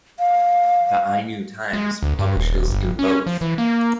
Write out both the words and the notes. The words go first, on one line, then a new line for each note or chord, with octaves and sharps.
The "Ainu Times" publishes in both.
F5
G#3
D2
G2
D#1
G1
C#4
F3
E3
A#3